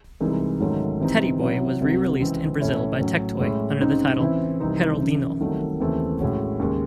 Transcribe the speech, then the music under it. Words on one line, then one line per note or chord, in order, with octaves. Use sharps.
"Teddy Boy" was re-released in Brazil by Tectoy under the title "Geraldinho".
C2 C3 E3 G#3 D#4
G#2 D#3 F#3 A3 C#4
C3 E3 C4 D#4
C3 F#3 C#4 E4
C2 C3 F#3 C4
C#2 C3 E3 C4
A2 E3 A3 C#4 E4
A2 F#3 C#4
A2 G#3 C#4 E4
C#2 C#3 G#3 C4 D#4
C#3 E3 C4 E4
C2 C3 E3 C4 D#4
F#2 C#3 E3
C2 C3 D#3 F#3 A3
D#2 C#3 E3 A3 C4
A2 G#3 C#4 F#4
D#2 C#3 G#3